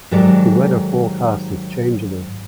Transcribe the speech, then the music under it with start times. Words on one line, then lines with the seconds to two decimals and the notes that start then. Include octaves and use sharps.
The weather forecast is changeable.
0.11 G#2 D#3 F#3 G4 A4 D5